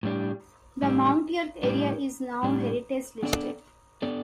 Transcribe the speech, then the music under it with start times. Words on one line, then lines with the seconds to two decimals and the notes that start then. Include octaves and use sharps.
The Mount York area is now heritage-listed.
0.03 A2 G3 D4
0.83 A2 G3 D4
1.63 A2 G3 D4
2.43 A2 G3 D4
3.23 B3 D4 A4 D5
4.02 B3 D4 A4 D5